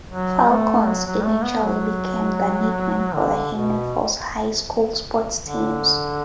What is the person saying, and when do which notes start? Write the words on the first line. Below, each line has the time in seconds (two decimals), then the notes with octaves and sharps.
"Falcons" eventually became the nickname for the Henry Foss High School sports teams.
0.11 F#3
0.49 A3
0.86 F#3
1.06 F#3
1.25 A3
1.44 B3
1.63 F#3
3.14 D3
3.53 B2
5.43 D3